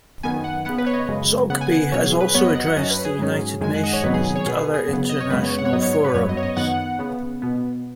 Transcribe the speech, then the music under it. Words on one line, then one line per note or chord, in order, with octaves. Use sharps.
Zogby has also addressed the United Nations and other international forums.
F#2 D#3 B3 G#5
F#5
C#3 B3 F#5
B4
C#5
D#5
F#2 C#3 G#3
C#3 B3 F#5
G#5
F#5
B2 F#3 C#4 C#5
G#4
B4
F#2 F#3 B3 C#5
D#5
F#5
F#5
F#2 F#3 C#4 D#5
B4
G#4
G#2 F#3 C#4
F#2 D#3 G#3 G#5
F#5
D#5
C#5
F#2 D#3 F#3 B3 B4
G#4
G#4
C#5
B2 B3 G#4
G#4
G#4
F#2 C#3 B3
D#5
C#5
F#2 C#3 G#3 B3 B4
C#5
F#5
C#5
G#2 F#3 B3 D#5
C#5
C#5
B4
F#2 F#3 B3 C#5
D#5
C#5
D#5
F#2 D#3 B3 F#5
C#3 B3
B2 B3